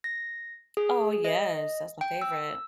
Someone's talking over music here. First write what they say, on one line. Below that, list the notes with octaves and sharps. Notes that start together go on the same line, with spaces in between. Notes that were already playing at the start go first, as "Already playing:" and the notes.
Oh, yes. That's my favorite.
A#6
G#4
D#5
G5
E6